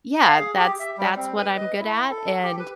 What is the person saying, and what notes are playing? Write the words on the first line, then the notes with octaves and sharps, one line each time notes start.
yeah, "that's that's what I'm good at, and
F5
G#4
G4
E5
G3
C4
B4
D#5
E4
A4
G4
B4